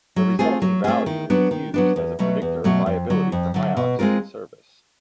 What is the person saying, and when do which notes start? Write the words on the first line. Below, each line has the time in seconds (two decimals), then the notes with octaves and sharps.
The resulting value is used as a predictor of viability for high-oxygen service.
0.16 F#3
0.39 A3 C4 F4 G#4
0.62 F#3
0.84 A3 C4 F4 G#4
1.06 D#3
1.30 F#3 B3 D4
1.51 D#3
1.74 F#3 B3 D4
1.96 E2
2.19 B2 F#3 A3
2.42 E2
2.64 B2 F#3 A3
2.86 F2
3.10 D3 F#3
3.32 F2
3.54 D3 F#3
3.77 B2
3.99 G#3 C4 F4 A#4